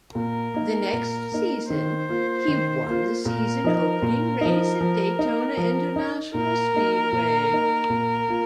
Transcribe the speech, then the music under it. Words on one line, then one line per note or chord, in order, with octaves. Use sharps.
The next season, he won the season opening-race at Daytona International Speedway.
A#2 A#4
A#3 D#4
A#2
A#3 D#4
D#3 C5
A#3 F4
D#3
A#3 F4
A#2 A#4
F3 D#4
A#2
F3 D#4
F3
D#4
F3
D#4
A#2 A#4
A#3 D#4
A#2
A#3 D#4
A#2
A#3 F4